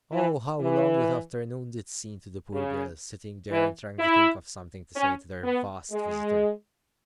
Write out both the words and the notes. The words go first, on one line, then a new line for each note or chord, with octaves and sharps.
Oh, how long that afternoon did seem to the poor girls, sitting there and trying to think of something to say to their vast visitor!
E3
E3
C#3
E3
E4
C#4
B3
G#3